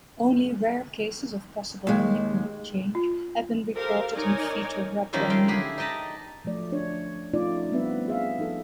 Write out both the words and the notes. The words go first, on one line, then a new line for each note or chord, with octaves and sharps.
Only rare cases of possible malignant change have been reported in fetal rhabdomyoma.
D#2 G#3
F4
G4 A4 A#4 C5 F5
D#4 A#4 C#5 D5 G#5
D#3 F3 G3 C#4 D#4 E4
G#3 F5 G5
D3 E4 G4 G#4 B5
D#4 D5 D#5 A5 B5
F3 F#3 A3 D5
D4 C#5
F3 A3 C#4 D#4 F4 D5
G3 B3 C4 D4 B4 E5
G#4 E5 F5
F3 D#4 A4